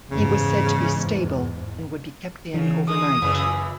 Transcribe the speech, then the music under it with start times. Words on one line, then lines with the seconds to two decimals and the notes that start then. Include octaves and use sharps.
He was said to be 'stable' and would be kept in overnight.
0.10 E2 G#2 C#3
2.54 C#3 E3
2.88 G#3 D#6
3.22 F#2 A#2 C#3 E3